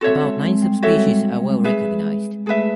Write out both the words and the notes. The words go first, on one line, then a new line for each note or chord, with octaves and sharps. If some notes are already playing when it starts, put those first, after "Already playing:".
About nine subspecies are well recognized.
C4 F#4 A4 C#5 E5
G#3
G#3
G3
G#3 F#4 A4 C#5 E5
G#4 B4 E5
A3 G#4 B4 E5